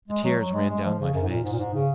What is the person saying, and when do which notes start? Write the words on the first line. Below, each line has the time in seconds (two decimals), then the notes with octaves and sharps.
The tears ran down my face.
0.08 G#3
0.24 F#3
0.39 F#3
0.53 G#3
0.69 G#3
0.84 F3
0.99 C#3
1.14 F#2
1.21 G#2
1.29 A#2
1.43 G#2
1.53 A#2
1.59 G#2
1.74 C#3